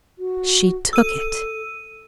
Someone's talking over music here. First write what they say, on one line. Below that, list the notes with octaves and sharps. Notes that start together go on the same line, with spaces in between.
She took it!
F#4
A4 E6 D#7